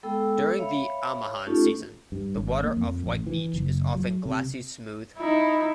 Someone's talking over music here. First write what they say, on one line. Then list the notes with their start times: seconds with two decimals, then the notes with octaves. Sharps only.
During the Amihan season, the water off White Beach is often glassy-smooth.
0.03 G#3 B3 A4 G5 E6
0.58 C#5 E5 F5 B5
1.46 A3 C#4 D#4 F4 G4 A4
2.12 G2
2.36 G#1
2.63 A#3
2.76 F2
3.06 A1
3.27 E3
3.54 F#1
3.95 F#3
4.26 C3
5.18 D#4 E4